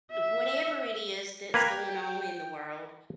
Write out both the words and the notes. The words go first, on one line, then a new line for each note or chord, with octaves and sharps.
Whatever it is that's going on in the world,
E5
A#3 B4 G5 A#5 G#6